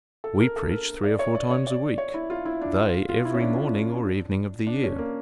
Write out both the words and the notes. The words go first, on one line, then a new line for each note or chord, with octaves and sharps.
We preach three or four times a week; they every morning or evening of the year.
A4
A#4
A4
A#4
D5
C#5
D5
C#5
D5
C#5
E4
F4
E4
D4
F4
F4
E4
C#4
D4
D4
C#4
A#3